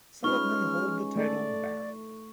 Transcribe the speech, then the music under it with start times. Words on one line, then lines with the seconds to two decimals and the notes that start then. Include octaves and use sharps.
Some of them hold the title baron.
0.24 G#3 C#4 D#4 F4 B4 C#6 F6
1.16 A3 A4 D5